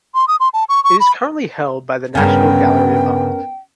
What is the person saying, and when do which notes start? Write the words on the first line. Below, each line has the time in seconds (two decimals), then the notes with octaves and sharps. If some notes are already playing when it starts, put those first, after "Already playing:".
It is currently held by the National Gallery of Art.
0.15 C6
0.28 D#6
0.40 C6
0.54 A5
0.69 C#6
0.84 C#6
1.00 B5
2.15 G2 C#3 B3 C#4 A#4 G5